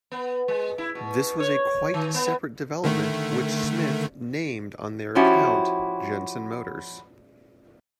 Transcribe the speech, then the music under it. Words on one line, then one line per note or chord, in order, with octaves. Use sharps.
This was a quite separate development which Smith named on their account Jensen Motors.
B3
G#3
E4
B2
C#5
D#3
B3
D3 D#3 A3
F3 C#4 E4 F#4 G4